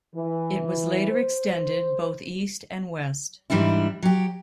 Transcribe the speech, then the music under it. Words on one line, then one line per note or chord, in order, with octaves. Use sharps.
It was later extended both east and west.
E3
C5
G#2 E3 G3 D4 E4
F#3 G4